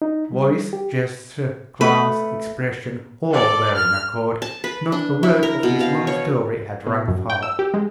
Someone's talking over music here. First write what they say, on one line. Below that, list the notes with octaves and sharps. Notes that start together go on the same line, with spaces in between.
Voice, gesture, glance, expression, all were in accord; not a word of his long story had rung false.
D#4
G3
G4
A3 B4
A4 D5
F6
A5
B4
D4
E4
A#4
B2
F5
C#5
B2
F#2
G5
E6
G4
G#3